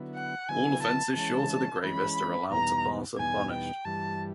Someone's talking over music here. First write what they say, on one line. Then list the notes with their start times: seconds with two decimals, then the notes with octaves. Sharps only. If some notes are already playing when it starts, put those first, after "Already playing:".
All offenses short of the gravest are allowed to pass unpunished.
Already playing: D3 F#3 B3 E4
0.15 F#5
0.49 D3 F#3 B3 E4 G#5
0.82 A5
1.16 E3 G#3 C#4 A5
1.83 E3 G#3 C#4 B5
2.50 E2 B2 G3 B3 D#4 A#5
3.18 E2 B2 G3 B3 D#4 G#5
3.52 G5
3.85 G2 E3 G3 A5